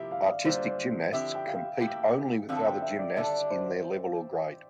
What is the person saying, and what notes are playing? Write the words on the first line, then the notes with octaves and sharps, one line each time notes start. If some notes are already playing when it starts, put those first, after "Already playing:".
Artistic gymnasts compete only with other gymnasts in their level or grade.
Already playing: C3 F3 A#3 E4 G4 E5
F5
D5
D3 G3 A#3 F4 C5
D3 F3 C4 E4 G4 E5
G5
F5
A2 E3 A#3 E4 G4 G5
D3 F3 C4 E4 A4 F5
G5
E5
D5
D3 G3 D4 A4 E5
C5